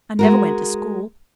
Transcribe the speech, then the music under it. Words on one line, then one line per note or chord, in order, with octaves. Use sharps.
I never went to school.
G#3 F#4 A#4